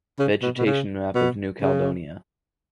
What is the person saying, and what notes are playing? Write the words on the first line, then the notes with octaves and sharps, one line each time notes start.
Vegetation map of New Caledonia.
C#3
B2
B2
C#3
B2
C#3